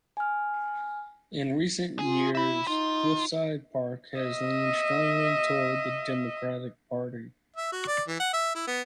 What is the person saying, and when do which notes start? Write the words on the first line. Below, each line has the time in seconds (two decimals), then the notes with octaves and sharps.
In recent years, Cliffside Park has leaned strongly toward the Democratic Party.
0.17 G#5 F6
1.99 F4 G#4 G#5
2.35 E4 E5 B5
2.67 D#4 F4
4.18 D#5 E5
7.56 E5
7.72 F#4
7.88 D5
8.08 E3
8.20 F#5
8.34 E5
8.55 E4
8.67 B3